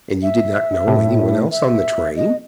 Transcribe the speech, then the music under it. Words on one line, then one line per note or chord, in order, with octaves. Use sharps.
"And you did not know any one else on the train?"
E5
A2
E5
D#5